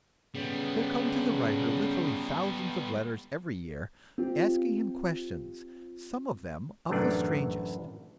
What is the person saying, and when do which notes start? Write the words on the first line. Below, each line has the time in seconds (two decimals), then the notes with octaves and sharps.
There come to the writer literally thousands of letters every year, asking him questions, some of them of the strangest.
0.35 C#3 G3 B3
4.18 C4 F4 G4
6.89 F#2 A2 C3 E3 D4